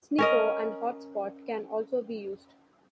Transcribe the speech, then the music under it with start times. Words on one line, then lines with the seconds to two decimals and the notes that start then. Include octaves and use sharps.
Snicko and Hot Spot can also be used.
0.18 C#4 A#4 D#5